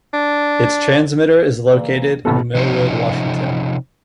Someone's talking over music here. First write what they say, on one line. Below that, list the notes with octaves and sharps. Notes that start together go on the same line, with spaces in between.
Its transmitter is located in Millwood, Washington.
D4
C#3 E3 A#3 D5
A1 D#2 A2 B3 E4 A4 B5
C3 F3 C#4 D#4 C5